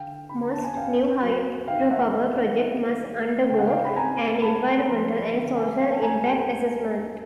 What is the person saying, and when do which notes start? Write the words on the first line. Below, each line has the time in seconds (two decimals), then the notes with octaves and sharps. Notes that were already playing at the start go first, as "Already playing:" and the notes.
Most new hydropower project must undergo an Environmental and Social Impact Assessment.
Already playing: D3 F5 G5
0.29 D3 B5
0.41 A#5
0.54 A5
0.64 G#5
0.76 C#4 F5 G5
1.23 F#3
1.68 D#3 F5 G5
1.85 G5
1.90 E5 F#5
2.02 F#5
2.13 D#3 D#5 F5
2.36 E5 F#5
2.58 D#3 E5 F#5
3.05 G3
3.50 C#3 G5
3.59 F#5
3.67 F5 G5
3.85 B5
3.96 C4 G#5 A#5
4.42 G#3 A5 B5
4.87 F3 A#5 C6
5.34 D3
5.56 F#5 G#5
5.78 C#4 F5 G5
5.91 A5
6.02 G#5 A#5
6.24 G3 G5 A5
6.70 A#3